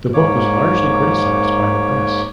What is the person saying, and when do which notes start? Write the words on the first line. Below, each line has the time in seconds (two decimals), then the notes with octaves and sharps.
The book was largely criticized by the press.
0.14 G#2 A#3 C#5 D6